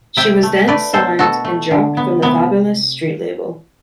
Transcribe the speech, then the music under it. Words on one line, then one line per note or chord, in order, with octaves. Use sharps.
She was then signed and dropped from the Fabolous street label.
C3 E5 G5
A3
A3 B4 D5
B2 A4 C5
B2 F#4 A4
A3
D3
B3
C3 B3